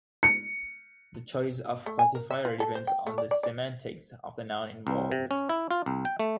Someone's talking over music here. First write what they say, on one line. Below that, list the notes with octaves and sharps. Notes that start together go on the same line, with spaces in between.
The choice of classifier depends on the semantics of the noun involved.
C#7
A3
G#5
A#4
E5
F4
A4
C5
G5
A3
D5
D5
D5
C2
C3
C#4
E4
F4
C2
G5
A3